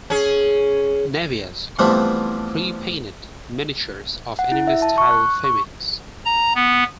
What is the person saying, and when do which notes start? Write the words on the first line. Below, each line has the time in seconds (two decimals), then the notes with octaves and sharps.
"Navias" are prepainted miniatures of anime-style females.
0.10 C#4 G#4
1.79 E3 F3 G3 A3 B3 C4
4.39 F#5
4.52 E4
4.67 E5
4.82 A5
4.98 C#6
5.11 F#6
5.44 C#6
6.25 A#5
6.55 B3